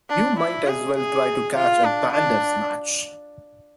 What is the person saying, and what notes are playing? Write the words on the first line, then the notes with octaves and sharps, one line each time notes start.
You might as well try to catch a Bandersnatch!
D4
E4
G#4
G#4
F4
D4
D4